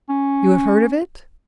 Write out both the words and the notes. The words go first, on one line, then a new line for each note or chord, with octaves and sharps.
You have heard of it?
C#4